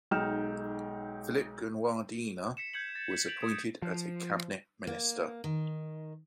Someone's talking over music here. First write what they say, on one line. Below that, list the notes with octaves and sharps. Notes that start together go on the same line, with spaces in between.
Philip Gunawardena was appointed as a cabinet minister.
B1 G#3 D#4 G5 F6 E7
B6 C#7 E7
G6 G#6 C#7 F#7
A6
B6
G6 A6 B6 D7 F7 F#7
D#6 G#6
F3
A#3
D#3